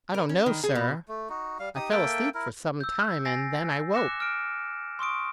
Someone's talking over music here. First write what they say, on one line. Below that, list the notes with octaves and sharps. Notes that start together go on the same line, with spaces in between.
"I don't know, sir; I fell asleep for some time, and then I woke! . . ."
A#4
C#4
D#3
G#4
B2
A3
D#4 F#4
G3 F5
D#4 G4 D#6
A#3 A4 E5 G5
E4 A#4
E6 G6
G#5 A6 A#6 C7
D6 F#6 A#6 C#7 E7
F6 D7
C6 C#6 D#6 D7